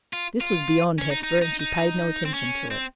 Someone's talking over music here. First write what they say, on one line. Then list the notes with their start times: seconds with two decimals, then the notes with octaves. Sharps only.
This was beyond Hesper, and she paid no attention to it.
0.13 F4
0.41 F4
0.98 C#4
1.11 D#4
1.23 D#4
1.41 D#4
1.59 D#4
2.25 C4
2.34 C#4
2.70 C4